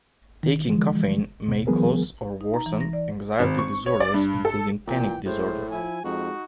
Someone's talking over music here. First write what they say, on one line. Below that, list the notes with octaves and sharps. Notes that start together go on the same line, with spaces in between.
Taking caffeine may cause or worsen anxiety disorders, including panic disorder.
D#3
D3 E3 F3 G#3
D#2 B2
D#3 F3 G3 B3 G#4 A#4
D#4
A#5
E3
A#6
D5
G#1
C#6
C#5
D5
G2
A4
A#2 E3 G5
A2 G#3 C5
F3 E4 G#5
F2 G#3 D#4 F#4